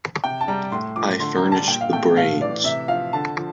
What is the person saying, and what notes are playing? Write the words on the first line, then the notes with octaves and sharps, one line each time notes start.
I furnish the brains.
C3 G5
A5
G3 A#5
A2 C6
F3 D6
D3 C6
A#5
G3
A5
A#2 G5
F5
A3 G5
A2 F5
E3 D5
C3 E5
F3 F5
D3 A5
F3